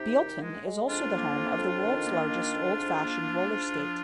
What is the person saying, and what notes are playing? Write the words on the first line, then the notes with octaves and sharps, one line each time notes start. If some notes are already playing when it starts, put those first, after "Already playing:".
Bealeton is also the home of the world's largest old-fashioned roller skate.
Already playing: C3 D#4 G4
D#3
G#3
G#3
F2 D4 F4
A#3
F2
F2
D#3
A#3
D#3
F2
G#2
A#3
A#3
G#2
F3